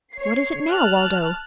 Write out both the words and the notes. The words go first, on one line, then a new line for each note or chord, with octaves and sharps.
"What is it now, Waldo?"
C#5 C7
A5 F6 F#6